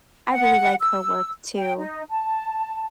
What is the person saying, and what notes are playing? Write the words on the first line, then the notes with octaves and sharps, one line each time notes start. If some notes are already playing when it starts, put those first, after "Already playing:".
I really like her work too.
F#5
E6
G5
D#4
A5